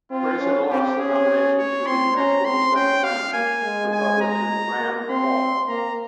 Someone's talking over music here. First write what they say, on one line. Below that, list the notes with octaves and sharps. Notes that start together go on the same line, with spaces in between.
Grayson lost the nomination to the eventual Senate winner, Republican Rand Paul.
C4 F4
C#4
C4 G4
C#4 G#4
C#5
C4 C6
C#4 A#5
C4 C6
C#4 G5
F5
A#3 G#5
G#3
G#5
A#5
A#3
C4 C6
A#3 A#5